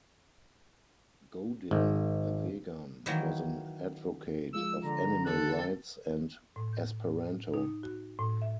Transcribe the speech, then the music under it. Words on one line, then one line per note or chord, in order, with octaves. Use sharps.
Godin, a vegan, was an advocate of animal rights and Esperanto.
G#1
D#3 E3 F#3 A#3
F3 G#3 F4 E6
D3 A#5
A4 F#6
A2
G6
D#4
F#4
A2
E5